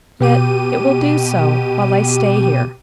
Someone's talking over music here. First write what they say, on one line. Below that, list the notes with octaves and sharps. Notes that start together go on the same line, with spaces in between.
Yet it will do so, while I stay here.
B2 G4 D#7